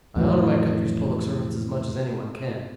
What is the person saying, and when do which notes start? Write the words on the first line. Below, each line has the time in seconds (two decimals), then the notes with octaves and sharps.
I honor my country's public servants as much as any one can.
0.16 F2 A2 E3 F#3